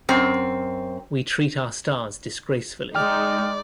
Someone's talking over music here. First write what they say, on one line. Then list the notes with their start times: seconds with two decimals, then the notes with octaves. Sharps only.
We treat our stars disgracefully.
0.09 F#2 C4
2.95 G#3 D#4 D5 G5 F6